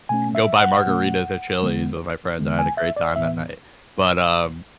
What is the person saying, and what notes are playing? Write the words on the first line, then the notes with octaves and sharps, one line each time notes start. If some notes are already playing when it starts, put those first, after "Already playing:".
go buy margaritas at Chili's with my friends. I had a great time that night. But, um
B2 A3 C#4 G#5
E5
F#5
B2 A3 C#4
E2 D3 G#3 B3
E2 D3 G#3 B3
G#5
E5
D5
A2 E3 B3 E5